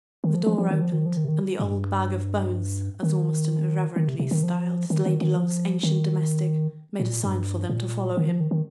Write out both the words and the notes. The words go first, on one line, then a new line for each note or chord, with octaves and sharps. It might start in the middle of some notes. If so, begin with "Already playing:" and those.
The door opened, and the "old bag of bones," as Ormiston irreverently styled his lady-love's ancient domestic, made a sign for them to follow him.
D#3
F3
F3
F3
D#3
F3
D#3
F3
D#3
C3
D#3
A#2
G2
D#3
D#3
C3
C3
D#3
F3
D#3
D#3
D#3
F3
D#3
A#2
G2
A#2
D#3
F3
D#3
D#3